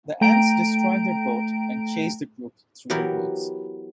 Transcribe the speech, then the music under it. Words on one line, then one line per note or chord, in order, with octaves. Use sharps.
The ants destroy their boat and chase the group through the woods.
A3 G5 A#5 D7
E3 F#3 B3 G4 A#4